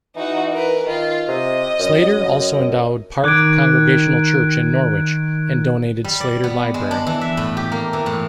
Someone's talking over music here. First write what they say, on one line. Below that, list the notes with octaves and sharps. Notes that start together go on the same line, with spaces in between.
Slater also endowed Park Congregational Church in Norwich and donated Slater Library.
E3 D#4 F#4
A#4 B4
D#3 F4
C3 D#5
F#2
D#3 D6 F#6 G#6 D7
G3
D5
B3
G#3
D4
E3
E5
A2
G4
A#3
E3
A2